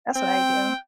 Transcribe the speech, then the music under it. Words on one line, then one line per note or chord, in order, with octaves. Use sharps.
that's what I do.
C4 G5